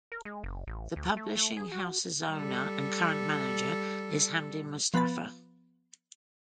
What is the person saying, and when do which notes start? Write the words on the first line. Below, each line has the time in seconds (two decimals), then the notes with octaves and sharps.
The publishing house's owner and current manager is Hamdi Mustafa.
0.12 A#4
0.25 G#3
0.44 F#1
0.67 A1
0.96 D2
1.17 A3
1.35 A3
1.57 G#4
1.72 F#4
2.32 G3 A4
4.94 F3 B3 B4 B5 A6